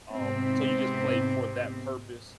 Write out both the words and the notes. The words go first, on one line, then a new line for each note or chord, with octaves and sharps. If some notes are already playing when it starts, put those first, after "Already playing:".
um, so you just play for that purpose,
G#2 C3 B3 C4